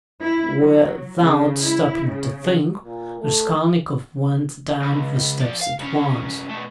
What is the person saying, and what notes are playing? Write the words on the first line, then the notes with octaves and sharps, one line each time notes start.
Without stopping to think, Raskolnikov went down the steps at once.
E4
F#3
C#3
E4
C#3
A#2
A3
C#2
F3 D5
F5
C2 C#4
B2 A3